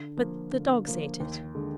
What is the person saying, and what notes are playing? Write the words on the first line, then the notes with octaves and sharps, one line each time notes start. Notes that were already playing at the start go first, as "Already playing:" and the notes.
But the dogs ate it.'
Already playing: D3
F3 A#3 F4
D3
F3 A#3 F4
D#2
D3 G#3